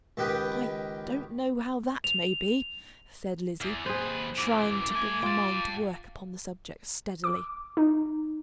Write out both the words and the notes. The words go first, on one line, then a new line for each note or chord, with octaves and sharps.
"I don't know how that may be," said Lizzie, trying to bring her mind to work upon the subject steadily.
C#2 D#3 G4 B4 G5 D#6
F7
E2
D#2 G#4 B4 C5
F#2 E3 D6
A3 G#5
F4 G5 A5
D6
D#4